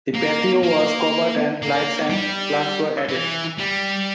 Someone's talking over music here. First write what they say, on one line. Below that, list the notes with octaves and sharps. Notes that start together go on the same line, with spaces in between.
The patio was covered and lights and plants were added.
A#3
A#3
A#3
G3
E3
G3